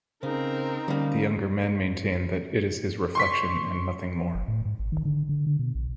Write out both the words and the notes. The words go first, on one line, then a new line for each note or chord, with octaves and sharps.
The younger men maintain that it is his reflection and nothing more.
C#3 C4 D#4 A#4 C5
D3 G3 A#3 C#4
C6 C#6 B6
F#1
A2
G#2
G#1
D#3
D3
D3
D3
B2
A#1